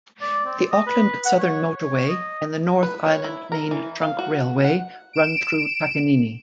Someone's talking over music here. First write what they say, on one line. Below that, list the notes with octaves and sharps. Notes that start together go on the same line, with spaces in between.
The Auckland Southern Motorway and the North Island Main Trunk Railway run through Takanini.
D5
C4
D#5
B4
F#5
C#5
C#5
D#5
B4
C#5
E4
A#4
E3
F5
F#4
F#5
D7 E7